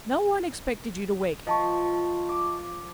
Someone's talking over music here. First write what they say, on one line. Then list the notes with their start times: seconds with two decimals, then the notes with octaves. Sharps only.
No one expected you to wake.
1.47 F3 D#5 A5 C#6
2.29 D6